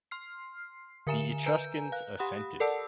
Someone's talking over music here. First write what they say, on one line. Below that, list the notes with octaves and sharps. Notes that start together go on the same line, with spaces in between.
The Etruscans assented.
C6 F6 C7
D3 A#4 E5 G#5 A#5 E7
B4 G#5 A#5 G6
F5 F#6
G4 F#5 B5 D#6
A4 A#4 D5 F#5 A5 E6